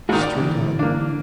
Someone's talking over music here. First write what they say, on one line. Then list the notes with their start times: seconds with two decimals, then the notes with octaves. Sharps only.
Street album.
0.09 G#2 D#3 E4 F#4 G#4
0.21 D#4 D5
0.39 D3 E3
0.79 A#3 D4